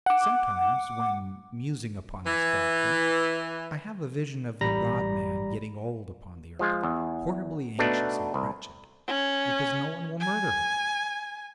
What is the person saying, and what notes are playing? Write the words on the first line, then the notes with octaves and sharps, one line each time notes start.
Sometimes, when musing upon this doctrine, I have a vision of the God-man getting old upon the earth, horribly anxious and wretched, because no one will murder him.
F#5 D6
E3
A1 G3 A#5 B5 A#6
F3 G#3 F4
E2
B2 A3 B3 D4 D#4
C2
C#4
G#5